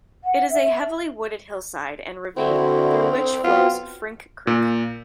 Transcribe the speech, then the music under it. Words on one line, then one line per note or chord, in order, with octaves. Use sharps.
It is a heavily wooded hillside and ravine through which flows Frink Creek.
F#5
E5
D3 C4 E4 F#4
F#3 B3 C4 F4
A#2